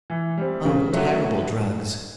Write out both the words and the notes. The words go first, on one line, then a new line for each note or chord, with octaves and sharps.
"Oh! terrible drugs."
E3
G3 C4
C#3
F#3 A3 C#4 F#4